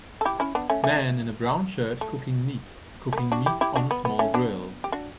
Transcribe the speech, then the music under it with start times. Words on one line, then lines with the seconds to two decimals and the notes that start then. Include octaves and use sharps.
Man in a brown shirt cooking meat cooking meat on a small grill.
0.21 A4
0.25 E4 G4
0.40 C#4 E4
0.55 B3 D4
0.70 A3 C#4
0.84 A3 C#4
2.01 A3
3.13 A3
3.18 B3
3.32 D4 F#4
3.46 E4 G4
3.61 E4 G4
3.76 D4 F#4
3.91 B3
4.05 B3
4.19 A3 C#4
4.34 B3 D4
4.84 G4
4.92 D4 F#4